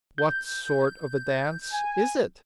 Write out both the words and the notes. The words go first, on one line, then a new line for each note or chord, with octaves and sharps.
'What sort of a dance is it?'
G6
G#5